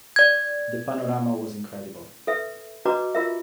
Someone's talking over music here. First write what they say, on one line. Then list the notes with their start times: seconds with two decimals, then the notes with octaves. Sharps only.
The panorama was incredible.
0.16 D5 G#6
2.27 A4 B4 E5
2.85 D4 F#4 B4 D#5 A#5 D6
3.15 F4 A#4 E5